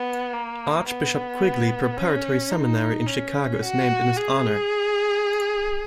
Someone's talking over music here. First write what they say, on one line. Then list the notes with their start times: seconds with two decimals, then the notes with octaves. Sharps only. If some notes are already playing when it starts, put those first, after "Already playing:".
Archbishop Quigley Preparatory Seminary in Chicago is named in his honor.
Already playing: B3
0.33 A#3
0.87 B3
1.97 C#4
2.51 D#4
3.06 C#4
3.62 F#4
4.17 G#4